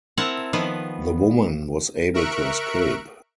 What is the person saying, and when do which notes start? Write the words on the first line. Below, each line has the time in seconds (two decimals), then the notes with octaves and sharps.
The woman was able to escape.
0.17 C4 E4 A#4 F#5 A5 A#5
0.53 D#3 F3 B3 B4
2.14 A#4 E5 C#6 F#6 D7